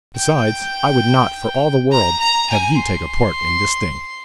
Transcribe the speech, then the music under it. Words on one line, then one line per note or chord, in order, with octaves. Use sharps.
Besides, I would not for all the world have you take a part in this thing.
G5
A#5
A#5
G#5
C6